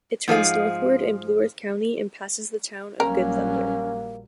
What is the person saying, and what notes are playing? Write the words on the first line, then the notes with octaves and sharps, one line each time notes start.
It turns northward in Blue Earth County and passes the town of Good Thunder.
G#2 F3 G#4 F5
A#1 F#3 G3 A#3 C#4 A#4